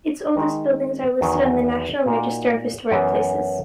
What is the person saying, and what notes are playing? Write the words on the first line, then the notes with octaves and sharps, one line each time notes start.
Its oldest buildings are listed on the National Register of Historic Places.
D#3 G#3 D#4
E2 D#3 F#3
A#2 A#3 D#4 F#4
F#2 E3 B3